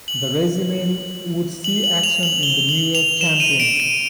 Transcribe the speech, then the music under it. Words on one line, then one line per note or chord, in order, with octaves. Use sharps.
The regiment would see action in the New York Campaign.
F#7
F#7
F#7
F7
F#7
G7
F#7
F7
E7
D#7
D7
D#7